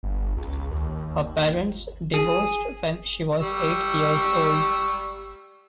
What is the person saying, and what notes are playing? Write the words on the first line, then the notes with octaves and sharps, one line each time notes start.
Her parents divorced when she was eight years old.
G1
C#2
D#2
G#4
G3 C#6 E6